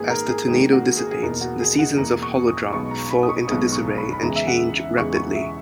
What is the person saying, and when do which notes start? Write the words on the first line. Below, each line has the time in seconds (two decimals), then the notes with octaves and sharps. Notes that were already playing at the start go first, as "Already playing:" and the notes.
As the tornado dissipates, the seasons of Holodrum fall into disarray and change rapidly.
Already playing: G#1 G#2 D#3 A#3 G#4 B4
0.10 A#4
0.29 G#4
0.47 G#1 G#2 D#3 A#3 G#4
0.72 F#4
0.97 G#4
1.11 G#4
1.22 E2 B2 A#3 A#4
1.41 F#4
1.60 G#4
1.79 F#5
1.97 E2 B2 A#3 A#5
2.22 C#6
2.47 D#6
2.73 B1 B2 G#3 B3 C#6
2.91 A#5
3.10 B5
3.23 D#6
3.29 C#6
3.48 B1 B2 G#3 B3 D#6
3.72 C#6
3.97 B5
4.13 B5
4.22 E2 C#3 E3 G#3 B3 A#5
4.36 E5
4.47 F#5
4.98 E2 C#3 E3 G#3 B3 C#6
5.16 C#6
5.35 E5